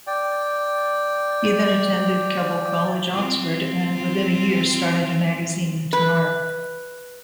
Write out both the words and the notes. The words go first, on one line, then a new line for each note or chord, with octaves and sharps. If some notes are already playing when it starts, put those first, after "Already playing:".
He then attended Keble College, Oxford, and within a year started a magazine "Tomorrow".
D5 G5
C4 F4
B4